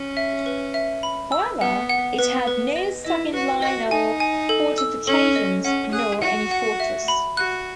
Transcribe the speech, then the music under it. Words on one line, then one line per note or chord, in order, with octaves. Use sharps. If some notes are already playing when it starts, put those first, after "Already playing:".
However, it had no second line of fortifications, nor any fortress.
Already playing: C#4
E5
B4
E5
B5
E6
B3 F#5
F#5
B3 B4
B4
D#5
E4 D#5
F#4 B4
F#4 D#5
D#4 G#5
G#5
A4
E6
C#4 A4
D#5
C#4 F#5
G#4 F#6
F#4 F#5
F#5
E5
B5
F#4 F#6